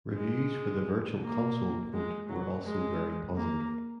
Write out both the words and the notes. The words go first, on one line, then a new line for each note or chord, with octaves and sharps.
Reviews for the Virtual Console port were also very positive.
G#3
A#3
G#3
F#3
G#3
A#3